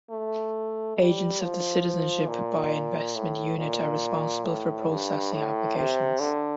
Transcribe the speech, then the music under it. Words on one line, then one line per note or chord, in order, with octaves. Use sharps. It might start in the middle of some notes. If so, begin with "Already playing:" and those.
Agents of the Citizenship by Investment Unit are responsible for processing applications.
A3
G3
F3
A#2
A2
A#2
A2
G2
A2
C3
D3